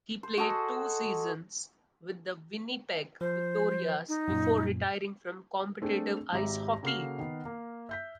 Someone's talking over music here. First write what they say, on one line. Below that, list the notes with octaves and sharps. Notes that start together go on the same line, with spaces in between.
He played two seasons with the Winnipeg Victorias before retiring from competitive ice hockey.
C5
F#4 G#4 A4 D#5
F3 C5
D#4
F#2 A#2
A3 C4 D4 G#4
G#1 G#2 G4 E5 A#5 A#6
C#3 A#3 F#4 A4 F6 C7
D#3 B3
A#3
E5 G6 B6